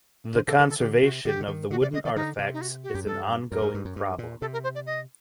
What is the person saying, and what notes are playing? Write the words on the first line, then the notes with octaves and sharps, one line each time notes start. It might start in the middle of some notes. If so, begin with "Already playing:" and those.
The conservation of the wooden artifacts is an ongoing problem.
D3 C5
C3 A4
D3 A#4
A4
D3 G4
C3 F#4
D3 G4
D3
D#3
D3 F#4
C3 D5
D3 D#5
D#3 D5
D3 D#4
C3
D#4
F#4
G4
F#4
F#2 G4
G2 A4
F#2 A#4
G2
G2
F#2
G2
A#2
C3 A4
A#4
C5
D5
D#5